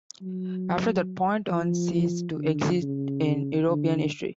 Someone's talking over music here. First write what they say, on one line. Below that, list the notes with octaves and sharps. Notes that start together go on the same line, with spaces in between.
After that point, Huns cease to exist in European history.
F#3
F3
D3
C#3
D3